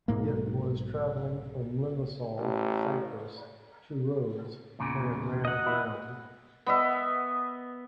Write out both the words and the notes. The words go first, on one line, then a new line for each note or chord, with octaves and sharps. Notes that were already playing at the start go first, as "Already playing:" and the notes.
It was traveling from Limassol, Cyprus to Rhodes when it ran aground.
B1 G#2 A#3
A1
E2 A#2 C#3
D#5 F#5
E4 E5
B3 D#5 E5